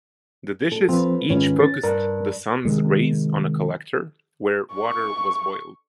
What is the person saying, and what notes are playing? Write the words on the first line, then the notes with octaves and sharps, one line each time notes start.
The dishes each focussed the sun's rays on a collector, where water was boiled.
A4
F3 C4 F4 B4 C5
G#2 D#3 C#4 F4 B4
A6
G2 A#4
C3 D#3 G#3
C#6